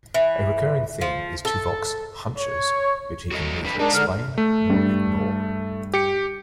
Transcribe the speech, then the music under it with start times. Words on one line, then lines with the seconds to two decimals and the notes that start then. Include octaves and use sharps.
A recurring theme is Tuvok's "hunches", which he can neither explain nor ignore.
0.14 E3
1.01 F3
1.45 A4
2.37 C#5
3.31 F#4 A4 D#5
3.63 F2 D4 B4
3.79 G#3 D4 D#4 A#4
3.93 D3 F6
4.38 A3
4.70 G2
5.94 G4 C#7